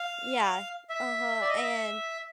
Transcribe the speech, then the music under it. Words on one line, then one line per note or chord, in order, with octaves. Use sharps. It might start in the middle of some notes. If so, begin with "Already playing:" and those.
Yeah. Uh-huh, and,
Already playing: F5
E5
D5
D#5
E5